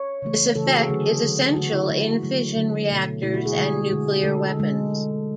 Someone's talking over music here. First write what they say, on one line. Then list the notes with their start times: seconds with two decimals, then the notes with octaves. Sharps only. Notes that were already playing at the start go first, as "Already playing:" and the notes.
This effect is essential in fission reactors and nuclear weapons.
Already playing: C#5
0.22 C#3 E3 A3
0.56 C#3 E3 A3 A4
0.66 F#4
0.78 G#4
0.89 D3 F#3 A3 G#4
1.23 D3 F#3 A3
1.55 D3 F#3 A3 F#4
1.73 E4
1.89 D3 F#3 A3 F#4
2.23 D3 F#3 A3
2.56 D3 F#3 A3
2.89 B2 A3
3.23 B2 A3 E4
3.34 F#4
3.46 G#4
3.56 D3 G#3 G#4
3.90 D3 G#3
4.23 D3 G#3 A4
4.56 D3 G#3